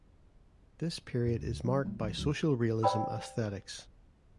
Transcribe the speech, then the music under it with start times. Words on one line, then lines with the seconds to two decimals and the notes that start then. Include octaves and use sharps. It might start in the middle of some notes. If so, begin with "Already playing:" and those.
This period is marked by social realism aesthetics.
1.26 F#2
1.39 D2
1.65 F#3
1.85 G1 A#2 G3 A3
2.00 A#1 D#2 E3 F#3
2.18 D2 G#2 F#3
2.83 C5 D5 G5 B5 E6